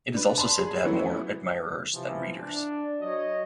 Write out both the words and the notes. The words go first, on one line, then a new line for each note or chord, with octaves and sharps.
It is also said to have more admirers than readers.
D4 B4
A5 B5 C6
G#4
E3 F#3 A3 B3 C#4 E4
C3 E3 F3
D4
F#3 F#4 C#5 D#5